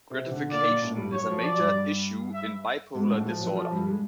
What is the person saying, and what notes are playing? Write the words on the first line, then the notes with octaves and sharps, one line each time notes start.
Gratification is a major issue in bipolar disorder.
C3 C4
D3 D4
A#2 A#3 D5
A#2 A#3
A2 A3
G2 G3
F#3 C#5
F3
F#3 D5
G2 G3
E5
G#2 G#3
A2 A3
F3
F#3
F3
G2 G3
G#3